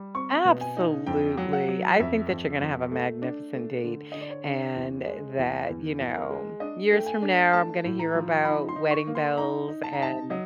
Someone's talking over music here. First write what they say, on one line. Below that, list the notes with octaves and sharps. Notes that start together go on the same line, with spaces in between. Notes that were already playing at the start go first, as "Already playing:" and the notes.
Absolutely. I think that you're gonna have a magnificent date and that, you know, years from now, I'm gonna hear about wedding bells and
Already playing: G3
C4 C#6
B2
G#5
D#4
F2 G5
F#3
F#5
F#3
F2 E5
F2
F2
A3
D4
A3
D3
D3 D#5
D5
C#5
D4
E2
G#3
E2
E2
E2
A#4
G#3
D4 D#5
A3
G5
G#5
D4
A3 A5
A2
A#5
F3
D#4 B5
C6
D#4
C#6
A#3
C6
D#4 A#5
D#4
A5
A#5
D#4 A5
F#3 D#5